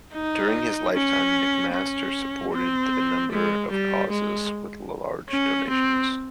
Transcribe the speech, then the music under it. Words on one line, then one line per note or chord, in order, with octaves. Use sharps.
During his lifetime, McMaster supported a number of causes with large donations.
D#4
C#4
C#4
C4
G#3
G3
G#3
C#4
C4